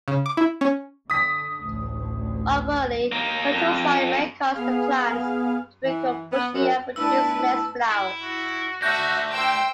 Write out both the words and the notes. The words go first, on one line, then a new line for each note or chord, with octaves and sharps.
Overly fertile soil may cause the plants to become bushy and produce less flowers.
C#3
D6
E4
C#4
D3 D#6 B6
A1 D2
A#3 D#4
F2
B3 G#4 F5 F6
E3
B3
F#2
A3 B3 D4 E4 B4 A5 E6
E4
F#4
A3 D4 F#4 E5 F#6 G6 A#6
C5 G5 E6